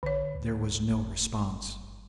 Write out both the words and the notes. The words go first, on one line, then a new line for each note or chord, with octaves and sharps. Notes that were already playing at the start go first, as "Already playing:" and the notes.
There was no response.
A#1 D3 C#5
D2
G1